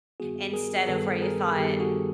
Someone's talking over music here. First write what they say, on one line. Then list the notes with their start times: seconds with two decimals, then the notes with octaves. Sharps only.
instead of where you thought
0.20 G2 D#3 G3 B3 F#4 G#4
0.53 G#4 A#4
0.87 G2 D#3 G3 B3 A4 B4
1.22 G#4 A#4
1.57 G2 D#3 G3 B3 G4 A4
1.80 F#4 G#4